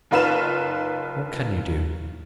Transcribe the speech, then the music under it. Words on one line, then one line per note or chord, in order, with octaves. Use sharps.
"What can you do?"
F#1 D#4 F4 B4 F6 E7